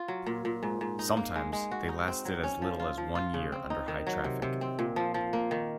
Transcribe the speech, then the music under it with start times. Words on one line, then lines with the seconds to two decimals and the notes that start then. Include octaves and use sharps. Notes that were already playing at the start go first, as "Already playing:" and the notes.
Sometimes they lasted as little as one year under high traffic.
Already playing: F4
0.08 F#3
0.26 A#2
0.45 A#2
0.63 G#2
0.81 G#2
0.99 D#4
1.17 A#3
1.35 G#3
1.53 G#3
1.71 F#4
1.89 D#4
2.08 C4
2.25 F#3
2.44 C#4
2.62 F3
2.80 F4
2.98 F3
3.15 F4
3.34 C#3
3.52 C4
3.70 D#4
3.88 D#3
4.07 F#3
4.24 C3
4.42 C3
4.61 C4
4.79 A#2
4.96 F3
5.14 F3
5.33 A#3
5.51 D#3